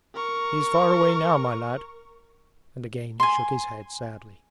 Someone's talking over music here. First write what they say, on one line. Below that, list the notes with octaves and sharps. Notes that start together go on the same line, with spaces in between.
'He is far away now, my lad! ...' And again he shook his head sadly.
A#4 C#6
G#5 C6